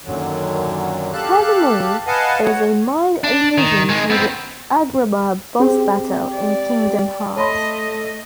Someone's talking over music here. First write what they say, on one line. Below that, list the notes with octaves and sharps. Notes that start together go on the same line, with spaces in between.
Furthermore, there is a mild allusion to the Agrabah boss battle in "Kingdom Hearts".
F#2 A#2 D3 D#3 F#3
G4 A4 F5 A5 F#6
B4 D#5 F5 F#5 G#5 A5
F#4 C#5 F#5
D4
D#3
D#3 G#3
B3 C4
C4 G4 G#4
D5
A3 A4 C#5 D#5 B5 C6